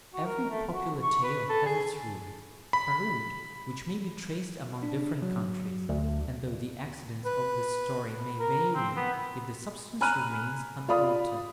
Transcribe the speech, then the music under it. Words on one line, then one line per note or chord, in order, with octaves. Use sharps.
Every popular tale has its root, a root which may be traced among different countries, and though the accidents of the story may vary, yet the substance remains unaltered.
F#4
A#4
A3
F#4
C#6
B4
A4
G#4
B5
D4
F#3
D2
B4
A#4
C4
B3
G#5 A#5 B5 F6 F#6 D#7
F4 D5 F5 B5 D#6